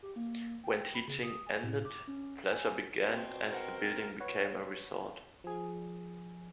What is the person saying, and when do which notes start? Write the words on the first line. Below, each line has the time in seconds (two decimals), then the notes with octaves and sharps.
When teaching ended, pleasure began as the building became a resort.
0.03 G4
0.16 A#3
0.64 G5
0.94 B5
1.08 C#3
1.23 D#6
1.47 G#5
1.64 A2
1.85 D6
2.08 C#4
2.47 G#5
3.05 B2 C4
3.51 A#4 C5 F#5
4.20 B4 C#5 F#5
5.44 F3 G#4